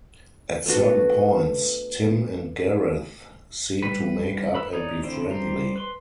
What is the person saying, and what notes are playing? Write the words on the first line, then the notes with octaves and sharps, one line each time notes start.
At certain points, Tim and Gareth seem to make up and be friendly.
A3 B3 D4 F#4
G3 B4
B4 B5 E6
D#4 C#5 D5
D3 C4 E4 C5
G3 C5 A#5
B4 C6